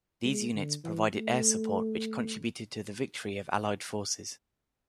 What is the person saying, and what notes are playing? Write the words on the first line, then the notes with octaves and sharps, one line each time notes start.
These units provided air support which contributed to the victory of allied forces.
G#3
D3
E3
A3